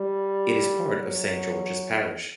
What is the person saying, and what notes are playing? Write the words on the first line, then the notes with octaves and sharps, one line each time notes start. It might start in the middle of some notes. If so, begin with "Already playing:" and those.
It is part of Saint George's Parish.
Already playing: G3
F#3